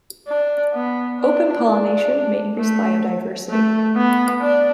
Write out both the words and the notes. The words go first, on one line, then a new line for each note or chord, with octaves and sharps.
Open pollination may increase biodiversity.
D4
B3
D4
D4
A3
A3
B3
D4